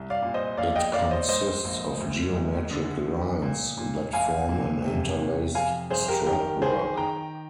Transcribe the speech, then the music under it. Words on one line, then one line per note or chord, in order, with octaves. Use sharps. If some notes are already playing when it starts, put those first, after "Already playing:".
It consists of geometric lines that form an interlaced strapwork.
Already playing: C2
D5 F5
A#2
C5 D#5
A#1 D5 F5
D#5 G5
A#1 D5 F5
C5 D#5
G#2 C5 D#5
A#1
D2
D2
D3
F3
A#2
A#2
A#1 F5 G#5
A#2
C3
C3
F2 F5 G#5
G1 G#4 C5
G4 A#4
D#3 G4 A#4
D#3 G#4 C5
D#3 G5 A#5